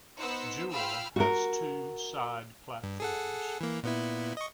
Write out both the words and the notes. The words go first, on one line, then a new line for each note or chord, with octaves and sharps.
Jewell has two side platforms.
B3 D#4 C5 E6 F#6 C#7
F4 F5 G5 B5 E6 F6
F#4 A#4
G2
G#4 A4 F#5
E3 A#3
A#2 B3 E4
D#5 C#6